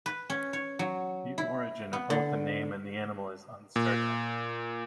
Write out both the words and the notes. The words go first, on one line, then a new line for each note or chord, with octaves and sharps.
The origin of both the name and the animal is uncertain.
B4
C#4
C#5
F#3
E4
B3
D3
A#2